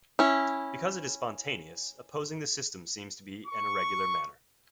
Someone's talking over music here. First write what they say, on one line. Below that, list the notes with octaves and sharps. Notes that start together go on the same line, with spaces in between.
Because it is spontaneous, opposing the system seems to be an irregular manner.
C#4 E4
C#6